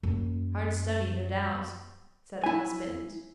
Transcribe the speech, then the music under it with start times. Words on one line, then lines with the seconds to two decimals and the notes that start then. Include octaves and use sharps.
"Hard study, no doubt," said her husband.
0.03 F#2 A#3
2.44 E4 G#5